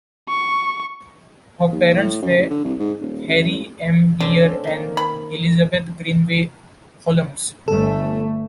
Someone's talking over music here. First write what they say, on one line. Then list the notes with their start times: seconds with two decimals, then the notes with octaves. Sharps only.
His parents were Harry M. Beer and Elizabeth Greenway Holmes.
0.29 C#6
1.72 D#2
1.97 A2
2.22 F#2
2.38 A1
2.50 D3
2.64 C2
2.79 G#2
3.01 D#1
3.28 A1
4.20 D3 A3 C4 C#4
4.64 D#3 A#3
4.97 B5
7.68 G1 A3 A4